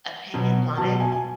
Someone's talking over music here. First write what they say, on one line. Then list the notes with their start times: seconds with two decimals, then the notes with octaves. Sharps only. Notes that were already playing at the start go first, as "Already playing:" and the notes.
Opinions on it.
0.34 B2 F#3
0.78 B2 F#3 A5
1.00 G#5
1.12 G#5